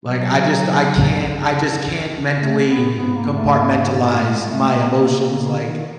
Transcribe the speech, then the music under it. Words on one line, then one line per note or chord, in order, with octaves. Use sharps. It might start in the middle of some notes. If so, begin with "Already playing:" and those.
Like, I just I can't I just can't mentally compartmentalize my emotions. Like,
B2 F#3
C#3
C#3 A3
C#3
C3
B3
A#2
G#2 B3
A#3
A3
A#3
A3
G#3
G#3
A3
A#2 A#3
B2
C3
C#3
C#3
D3
D#3